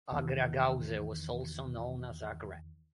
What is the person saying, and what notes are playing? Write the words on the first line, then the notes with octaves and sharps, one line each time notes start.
Agra gauze was also known as Agre.
E2 D#3 E3 B3